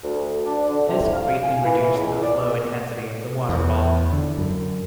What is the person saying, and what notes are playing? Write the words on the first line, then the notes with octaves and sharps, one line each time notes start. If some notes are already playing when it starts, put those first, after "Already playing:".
This greatly reduced the flow intensity of the waterfall.
D2
D4
D3
C3
A2
F5
G#5
E3
C#2
D5
E2
D3
F#2